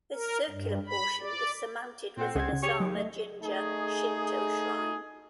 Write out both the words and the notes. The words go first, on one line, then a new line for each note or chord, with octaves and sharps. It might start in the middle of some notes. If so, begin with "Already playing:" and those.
This circular portion is surmounted with an Asama Jinja Shinto shrine.
A#4
G2
B5
D5
A#2 A3 C4 F#5
C#2 C#4 G#4 F#5 G#6
C#3 C#4
G4 G#4 C#5
D#2 F#3
A3 D#5
A3 D#4 G#4